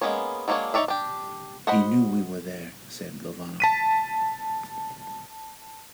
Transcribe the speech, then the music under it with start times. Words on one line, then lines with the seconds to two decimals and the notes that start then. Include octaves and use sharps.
"He knew we were there," said Lovano.
0.01 G#3 A#3 B3 C#4 C#5
0.48 F#3 G#3 A#3 D4 C#5
0.74 D#4 F#4 C#5 D5 E5
0.88 D4 G4
1.67 F#4 C5 D#5 F#5 B5
3.60 A5 B6 D#7